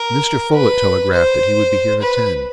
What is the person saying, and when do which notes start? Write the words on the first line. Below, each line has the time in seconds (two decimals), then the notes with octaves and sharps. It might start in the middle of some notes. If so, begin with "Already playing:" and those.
"Mr. Folett telegraphed that he would be here at ten."
Already playing: A#4
0.54 B4
1.13 C5
2.02 B4